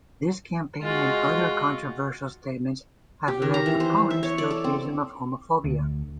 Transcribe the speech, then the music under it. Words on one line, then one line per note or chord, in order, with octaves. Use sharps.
This campaign and other controversial statements have led opponents to accuse him of homophobia.
G#3 F4 F#4
G4
D#3
A#5
E3
C5
E5
C#5
D5
A4
C4
D2